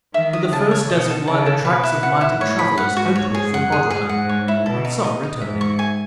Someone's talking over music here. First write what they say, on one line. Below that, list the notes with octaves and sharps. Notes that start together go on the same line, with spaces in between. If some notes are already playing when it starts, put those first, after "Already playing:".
In the first desert lie the tracks of mighty travellers outward from Bodrahan, and some returning.
D#3 E5
D#6
C#3 A5
C#5
B2 D#5
A4
C#3 A5
A4
B2 B4
E4
F#5
E4
A2 C#5
B5
G#2 F#5
F#4
C#5
G#4
F#2 F#5
G#4
G#2 G#4
F#5
C#5
E4
B2 A4
D#4
D#5
D#4
G#2 E5
C#6
G#5